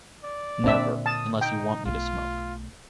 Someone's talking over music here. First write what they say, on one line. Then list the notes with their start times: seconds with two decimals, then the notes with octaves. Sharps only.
Never, unless you want me to smoke.
0.24 D5
0.64 A#2 D3 C4 D4 E5
1.06 A5 D#6
1.41 D#4 G5
1.85 B1 A3 F4